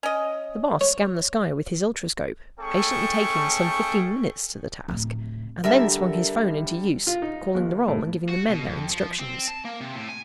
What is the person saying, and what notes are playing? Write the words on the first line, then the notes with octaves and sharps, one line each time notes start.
The Boss scanned the sky with his ultroscope, patiently taking some fifteen minutes to the task, and then swung his phone into use, calling the roll and giving the men their instructions.
C#4 D#5
C#5
A3 C#4 G#4 A4 G5 C#6
D1 C3
D3 G3 A#4 E5 A5
F4
D#4
D#2
A2
F#4
B2
F2
F3
C4
A5
A#3
C3
A2
G#5